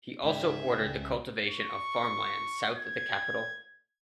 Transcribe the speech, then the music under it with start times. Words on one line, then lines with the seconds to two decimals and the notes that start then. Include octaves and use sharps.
He also ordered the cultivation of farmlands south of the capital.
0.24 C#2 G#2 G#4 D5 E5 G5
1.50 C#6
2.78 G#6